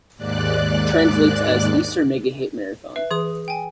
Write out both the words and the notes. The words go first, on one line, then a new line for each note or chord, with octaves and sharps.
Translates as Easter Mega Hit Marathon.
D#2 G#2 D5 F#6
B4 E5
E3 G#4 D#6
G5 G#5